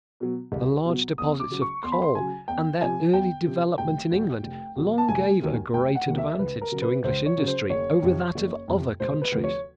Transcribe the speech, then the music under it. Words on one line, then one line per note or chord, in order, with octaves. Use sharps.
The large deposits of coal and their early development in England long gave a great advantage to English industry over that of other countries.
B2 F#3
C2
B2 F#3
E2 D#6
D6
C#3 F#3
C#6
E2 C6
B5
C6
C#3 F#3 G#5
E2 G5
C3 F3 G#5
E2 G5
C3 F3
F1 G5
E2 B2 F#3
F1
E2 B2 F#3
A5
F1 G#5
D#2 D#3 F#3
F1 G5
F#5
D#2 D#3 F#3
E5
C#2 B4
A#4
C#3 F#3
B4
C#2 C5
C#5
C#3 F#3
C5
F#1 C#5
F2 C3
F#1
F2 C3
E1 C5
B4
D2 C3 F3
C#5